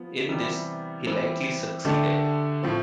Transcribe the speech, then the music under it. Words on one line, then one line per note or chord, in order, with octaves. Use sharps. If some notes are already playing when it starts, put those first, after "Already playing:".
In this he likely succeeded.
Already playing: F3 B3
C3 E3 G3 B3
E3 G3 C4
D3 A3 D4 G4
A2 F3 C4